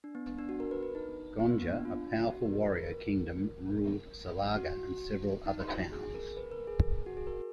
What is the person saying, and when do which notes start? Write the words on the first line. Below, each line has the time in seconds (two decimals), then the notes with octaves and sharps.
Gonja, a powerful warrior kingdom, ruled Salaga and several other towns.
0.04 D4
0.15 B3
0.27 B3
0.38 D4
0.49 F#4
0.60 A#4
0.71 B4
0.83 B4
0.95 D#4
1.40 B3
1.50 A#3
1.62 B3
1.73 D4
1.85 F4
2.30 F#4
2.45 A#4
2.61 B4
2.75 A#4
4.56 F#4
5.46 D#4
5.69 F#4
5.92 G#4
6.03 G#4
6.14 A#4
6.37 B4
6.51 A#4
6.67 G#4
7.06 F#4
7.17 G#4
7.27 A#4